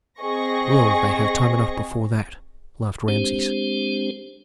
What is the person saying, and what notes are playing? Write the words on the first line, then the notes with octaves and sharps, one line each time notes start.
"Well, they have time enough before that," laughed Rameses.
C4 G#4 D#5 C#6 A#6
G#3 C4 D4 G4 C5